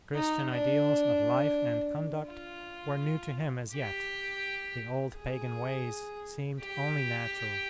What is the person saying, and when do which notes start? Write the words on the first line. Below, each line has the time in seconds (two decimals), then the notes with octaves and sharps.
The Christian ideals of life and conduct were new to him as yet; the old pagan ways seemed only natural.
0.14 D#4
0.50 D4
2.29 F4
3.73 G4
5.17 G#4
6.61 G4